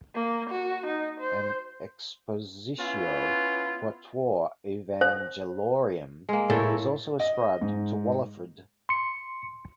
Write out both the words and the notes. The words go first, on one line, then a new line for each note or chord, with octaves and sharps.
An "Expositio quatuor Evangeliorum" is also ascribed to Walafrid.
A#3
F#4
D#4
C5
B3 C#4 E4 F4
C5
G#3 A#3
A2 E4 A4 A#4 C#5
D#5
G#2
C6 C#7